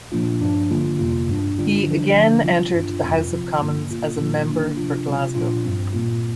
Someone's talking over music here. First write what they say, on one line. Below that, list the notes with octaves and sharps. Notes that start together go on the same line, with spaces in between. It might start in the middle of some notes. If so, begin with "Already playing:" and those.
He again entered the House of Commons as a Member for Glasgow.
A#2 F3 A#3 D4 F4
G2 F3 D4
D3 G3 A#3 F4
F2 C3 A#3 F4
G2 G3 D4
D3 G3 D4 F4
D3 F3 D4
D3 F3 D4
C3 G3 C4 F4
G2 G3 D4 F4
F2 C3 F3 C4 F4
C3 F3 C4 F4
G2 D3 A#3
A#2 A#3 F4
A#2 F3 A#3 D4 F4
D3 A#3 D4
C3 F3 D4 F4
C3 G3 C4 F4
A#2 F3 D4 F4
G2 G3 C4
A#2 A#3 F4